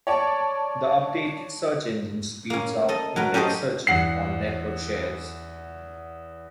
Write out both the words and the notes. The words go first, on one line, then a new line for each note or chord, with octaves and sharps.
The updated search engine speeds up indexed searches on network shares.
C#5 D5 A5
A#3 C#4
A4 D#5
F#3 A#4 B4
C#4 G4 A4 C5 D#5
E2 F#5 C7